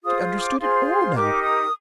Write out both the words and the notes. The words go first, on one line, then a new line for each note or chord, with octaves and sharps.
She understood it all now.
F4 G#4 C5 D#6
D#6
D6
F4 G#4 C5 C6
D#4 G4 A#4 D6
D#6